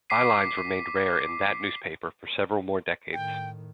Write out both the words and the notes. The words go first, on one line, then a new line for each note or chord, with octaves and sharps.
Bylines remained rare in that newspaper for several more decades.
D6 B6 C7 D#7
A2 D#3 G5